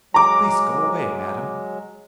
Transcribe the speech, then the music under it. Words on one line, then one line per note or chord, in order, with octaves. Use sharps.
"Please go away, madam!"
F#3 G#3 A#5 D6